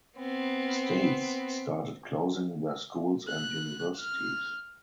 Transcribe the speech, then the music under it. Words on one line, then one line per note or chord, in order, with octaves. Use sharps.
States started closing their schools and universities.
B3 C4
F#6
F6